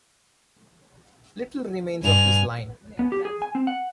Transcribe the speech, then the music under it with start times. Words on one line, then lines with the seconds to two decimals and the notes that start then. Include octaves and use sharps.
Little remains of this line.
2.03 G2 G#5 F7
2.99 B3
3.12 G4
3.25 G#4
3.42 G#5
3.55 C4
3.67 F#5